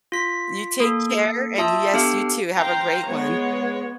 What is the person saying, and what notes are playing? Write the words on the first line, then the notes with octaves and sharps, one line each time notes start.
You take care, and Yes, you too, have a great one.
F4 B6
A#3 A4
F4 E5 A5 D#6 E6
B3 D4 G4 A4 F5 F6
C5 F5 G5 A#5
G#3 B3 C#5